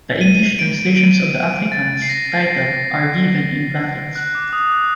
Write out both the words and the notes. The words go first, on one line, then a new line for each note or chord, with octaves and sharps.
The English translations of the Afrikaans title s are given in brackets.
D#7
D7
D7
A6
C7
A#6
F#6
D6
D#6
F#6